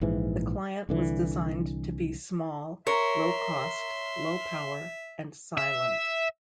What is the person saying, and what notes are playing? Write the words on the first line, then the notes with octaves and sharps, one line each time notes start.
The client was designed to be small, low cost, low power, and silent.
A#1 G#2 E3
C2 D3 E3
A#4 C#5 E5 C6
E5